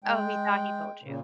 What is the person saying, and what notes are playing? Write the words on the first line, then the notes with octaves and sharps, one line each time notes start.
Oh, he thought he told you.
G#3 G5
A#2 C#3